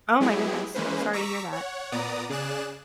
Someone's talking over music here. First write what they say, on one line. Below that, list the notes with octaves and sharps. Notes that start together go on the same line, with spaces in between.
Oh my goodness. Sorry to hear that.
F#3 G#3 B3 E4 G4 G#4
E3 G#3 A#3 C#4 B4 C5
A#5 C#6 D6 E6 B6
C#5 F#5
A#2 B3 D5 A#5 D#6
C#3 G#4 D5 F#6 E7